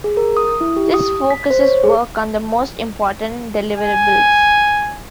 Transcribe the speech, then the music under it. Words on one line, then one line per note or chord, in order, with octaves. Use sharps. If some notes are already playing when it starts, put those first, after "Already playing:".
This focuses work on the most important deliverables.
G#4
A#4
D#6
E4
G4
D#6
B6
C5
C#5
G#4
G#5